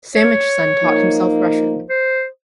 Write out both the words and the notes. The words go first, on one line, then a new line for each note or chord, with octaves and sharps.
Samachson taught himself Russian.
C#5
F3 A#3 D#4
C5